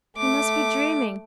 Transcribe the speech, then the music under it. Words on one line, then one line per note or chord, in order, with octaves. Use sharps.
I must be dreaming!
A3 D6